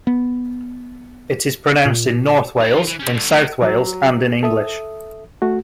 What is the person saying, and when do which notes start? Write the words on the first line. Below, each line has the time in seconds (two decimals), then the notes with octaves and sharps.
It is pronounced in North Wales, in South Wales, and in English.
0.07 B3
1.85 A#2
2.61 D#4 E5
2.74 D#3 F4
2.87 E3
2.99 C#4 G4
3.13 G2 D3
3.30 C#3 A3
3.62 F#3
4.43 A4 E5 D#6
5.42 A3 F#4